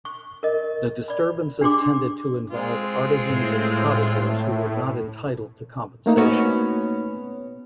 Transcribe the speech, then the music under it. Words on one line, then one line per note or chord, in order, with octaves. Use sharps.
The disturbances tended to involve artisans and cottagers who were not entitled to compensation.
C#6
A#4 D#5
D5 B5
D4 G4 G#4 C6 D6
G#3 C4 F4
A2
A3 A#3 D#4
B3 C#4 F#4